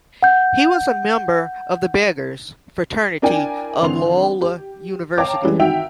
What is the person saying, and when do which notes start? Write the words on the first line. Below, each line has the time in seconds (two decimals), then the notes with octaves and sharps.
He was a member of the Beggars Fraternity of Loyola University.
0.23 F#5 G6
3.22 D4 E4 A#4 D5 G5 G#5
3.82 G#1 D3 E3 C6 F7
4.41 G4
5.18 C#5 F5 G5 A5 A#5 D6
5.44 E3 G3 G#3 C#4
5.59 D#3 F#4 E5 G5 F7